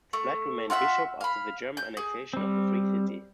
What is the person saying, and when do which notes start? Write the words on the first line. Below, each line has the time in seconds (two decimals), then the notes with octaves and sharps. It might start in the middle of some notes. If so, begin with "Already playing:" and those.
Splett remained bishop after the German annexation of the Free City.
0.13 A3
0.70 F4 F#4 E5 F#5
1.21 F5 B5
1.77 G6
1.97 G#4
2.33 G3 C4